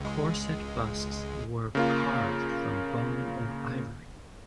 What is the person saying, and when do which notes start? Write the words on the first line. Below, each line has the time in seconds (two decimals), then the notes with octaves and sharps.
Corset busks were carved from bone or ivory.
0.01 C#2 G#3
1.75 C#3 A#3 F4